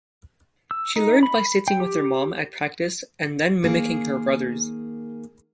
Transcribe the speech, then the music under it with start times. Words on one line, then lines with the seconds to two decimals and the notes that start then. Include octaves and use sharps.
She learned by sitting with her mom at practice and then mimicking her brothers.
0.71 E6
0.96 D#4
1.23 B5
1.68 G5
1.80 G4
3.63 D#3 A#3 G#4